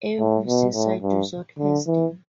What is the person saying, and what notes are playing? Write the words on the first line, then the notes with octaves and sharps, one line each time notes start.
Every seaside resort has them.
A2
B2
A2
G2
D3
E3